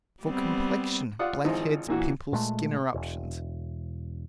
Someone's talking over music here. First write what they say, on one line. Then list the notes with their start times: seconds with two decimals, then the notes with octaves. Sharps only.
For complexion, blackheads, pimples, skin eruptions.
0.23 G3 B3 C4
1.19 F4 D5 F#5 D#6
1.44 G#1 E3 F3 D#4 F4
1.88 A#2 E3 F#4
2.33 A#2 G#3 A3
2.94 E1